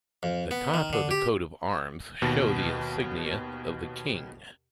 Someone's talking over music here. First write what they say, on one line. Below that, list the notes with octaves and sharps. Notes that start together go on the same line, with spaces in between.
The top of the coat of arms show the insignia of the King.
F2
B3
D#3
D3
G4
D#2 B2